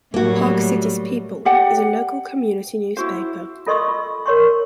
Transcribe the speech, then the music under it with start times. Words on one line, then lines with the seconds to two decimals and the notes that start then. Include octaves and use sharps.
"Park Cities People" is a local community newspaper.
0.14 A2 F#3 G3 A#3 F#4
1.45 G4 D5 F#5 G5
2.97 E4 F#4 C5
3.67 F4 A4 D#5 C6 C#6 E6
3.88 F4
4.26 A#4 C#5 C6 C#6